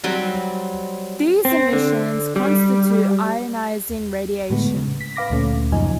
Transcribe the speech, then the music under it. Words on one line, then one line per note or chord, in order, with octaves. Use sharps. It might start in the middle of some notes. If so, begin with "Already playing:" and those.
These emissions constitute ionizing radiation.
F#3 G3 C4
C4
D3
G3
A2 D3 G#3 B3
C#3
B6
B4 F5 D6 A#6
D2 A#2 A3 C#4
F#2 A#2 C#3 F3 D#4 G#5